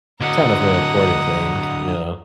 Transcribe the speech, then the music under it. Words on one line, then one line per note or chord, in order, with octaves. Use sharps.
kind of a important thing. You know?
D3 F#3 D#5 F#5 A#5 D#6